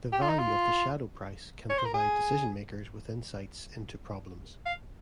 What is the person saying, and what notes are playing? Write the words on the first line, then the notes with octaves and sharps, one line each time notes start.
The value of the shadow price can provide decision-makers with insights into problems.
G4
F4
D#4
F4
C#5
C5
A#4
G#4
F5